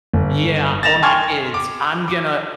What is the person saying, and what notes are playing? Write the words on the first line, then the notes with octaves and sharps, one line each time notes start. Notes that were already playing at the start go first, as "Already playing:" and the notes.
Yeah, or my kids, I'm gonna
G1
A6 A#6 E7 F7
G5 G#5 C6 C#6 F6 G#6
D6
D6